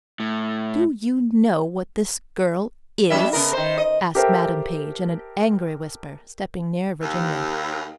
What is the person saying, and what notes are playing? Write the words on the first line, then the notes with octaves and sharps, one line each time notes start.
"Do you know what this girl is?" asked Madam Page, in an angry whisper, stepping near Virginia.
A2
F#2 F#3 E5
C#3 B3 A#4
D#3 C5
D#5
G4 A4 A#4 C5 E5 G5
D#2